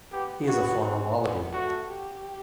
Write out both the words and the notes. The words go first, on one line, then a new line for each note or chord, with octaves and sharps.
He is a former Wallaby.
B3 G4
B3 F#4
C4
B3
A3 F#4
G4